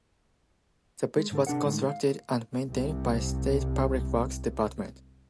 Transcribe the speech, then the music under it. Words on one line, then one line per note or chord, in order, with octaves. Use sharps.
The bridge was constructed and maintained by State Public Works Department.
G#3
G#2 D3 A4
C3 D4 G#4 A#4 F#5
A2 D3 D#3 G#3
F5
C2 C3